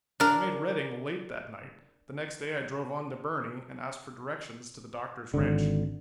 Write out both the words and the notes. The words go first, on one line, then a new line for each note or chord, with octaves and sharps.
I made Redding late that night; the next day I drove on to Burney and asked for directions to the Doctor's ranch.
D4 A#4
G#1 D3